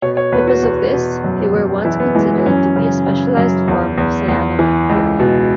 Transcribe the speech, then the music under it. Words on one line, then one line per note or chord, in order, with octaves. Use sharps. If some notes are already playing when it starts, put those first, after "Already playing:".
Because of this, they were once considered to be a specialized form of cyanobacteria.
B2 C#5
C#5
E2 B4
F#4
E2
B2
F#2
F#2
E3 E4
B3
E3 G#3
B3
F#2 C#4
C#3
C#3
F#2
E2
E2
E2
E3
C#2
B2